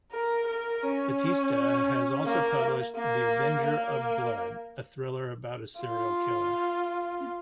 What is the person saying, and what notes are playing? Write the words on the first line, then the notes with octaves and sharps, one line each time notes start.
Batista has also published "The Avenger of Blood", a thriller about a serial killer.
A#4
A#4
C#4
A#3
A#3
A#3
F4